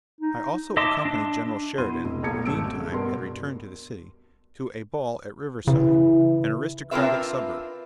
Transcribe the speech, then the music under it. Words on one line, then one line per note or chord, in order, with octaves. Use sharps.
I also accompanied General Sheridan--who meantime had returned to the city--to a ball at Riverside--an aristocratic suburb.
D#4
D#5 E5 A5 C6 D6
D4
B2 E4 C6 D#7
F1
B1 A#3 A4 G#6 C#7
G#1 A3 E6 D7
C#3 A3
G2 B2 A#4 C6
C#3 E3
C4 D4 F4 A#4 B4 E5